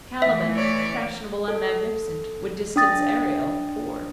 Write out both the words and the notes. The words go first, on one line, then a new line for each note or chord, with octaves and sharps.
Caliban, fashionable and magnificent, would distance Ariel, poor.
E3 A3 E5
C#5 D5
A4
D4 G5 D#6 A6 A#6